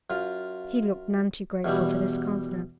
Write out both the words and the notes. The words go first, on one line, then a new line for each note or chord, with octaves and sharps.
He looked none too grateful for this confidence.
F#2 F4
E2 B2 E3 G3